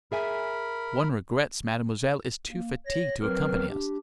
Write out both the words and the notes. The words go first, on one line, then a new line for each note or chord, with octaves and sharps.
One regrets mademoiselle is too fatigued to accompany us.
G#4 A#4 E5 G#5 B5
A#3
C#5 A#6
F#3 C4 A#4 B4 F6
D4 G4